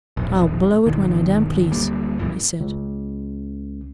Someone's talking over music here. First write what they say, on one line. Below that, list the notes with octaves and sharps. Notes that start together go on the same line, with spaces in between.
"I'll blow it when I damn please," he said.
E1 A#1
G1 B2 D#3
D2 D3 G3 A#3
B1 F#2 A#2 E3
C#2